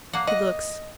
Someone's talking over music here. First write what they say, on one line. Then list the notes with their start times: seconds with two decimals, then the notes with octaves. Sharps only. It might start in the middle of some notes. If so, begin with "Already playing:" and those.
He looks.
0.13 A#3 F#5
0.27 D#5 F#5